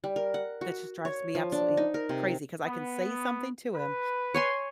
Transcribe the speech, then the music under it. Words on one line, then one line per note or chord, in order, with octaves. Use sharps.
that just drives me absolutely crazy 'cause I can say something to him,
G3
A#4
F#5
F#4
C#5
F3
D4
D#4
A#4
C3
B3
B4
C#5 G#5 C6